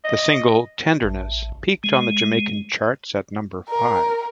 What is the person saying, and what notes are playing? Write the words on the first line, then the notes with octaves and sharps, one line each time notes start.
The single "Tenderness" peaked on the Jamaican charts at number five.
D#5
A1
G#3
A#4